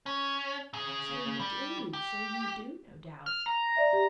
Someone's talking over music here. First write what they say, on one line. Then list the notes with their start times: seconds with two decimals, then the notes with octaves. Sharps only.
'So you do, so you do, no doubt.
0.06 C#4
0.74 C#3 G#4
1.39 G3
1.93 G4
3.26 F6
3.46 A#5
3.77 D5 E5
3.93 G4